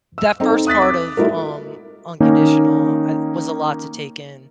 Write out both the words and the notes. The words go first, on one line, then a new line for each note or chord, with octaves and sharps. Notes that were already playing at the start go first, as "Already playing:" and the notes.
That first part of, um, unconditional I was a lot to take in.
E6
C4 D#4 A4
D#6 F#6 A6 B6
D6
A3 D#4 E4 F#4 A#4
D#3 A#3 C#4 D#4